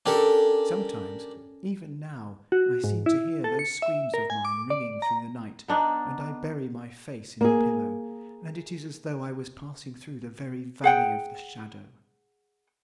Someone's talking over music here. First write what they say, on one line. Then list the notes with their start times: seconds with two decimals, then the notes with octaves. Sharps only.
Sometimes, even now, I seem to hear those screams of mine ringing through the night, and I bury my face in the pillow, and it is as though I was passing through the very Valley of the Shadow.
0.06 C#4 D4 G4 A4 A#4
2.52 F#4
2.84 G#2
3.06 E4
3.44 A4
3.59 C#7
3.82 E5
4.14 A#4
4.30 G#5
4.45 D6
4.70 D5
5.02 A#5
5.68 B3 D4 D#4
7.41 A#3 G#4
10.84 G#4 F#5 G5